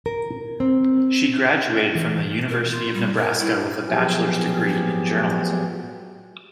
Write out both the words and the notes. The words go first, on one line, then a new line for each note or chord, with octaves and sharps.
She graduated from the University of Nebraska with a bachelor's degree in journalism.
A#4
C4
E3
A#4
F4
G3
A#4
E4
F3 F#3 B3 G4 G#4